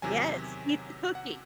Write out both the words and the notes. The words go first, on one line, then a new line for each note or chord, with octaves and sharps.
Yes, eat the cookie.
E2 C3 D#3 F#3 G#5
F#5